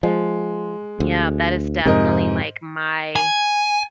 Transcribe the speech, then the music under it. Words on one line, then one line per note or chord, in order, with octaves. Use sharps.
yeah, that is definitely like my
F3 G#3
D2
F2 G#2 C3 A#4 D#5
G#5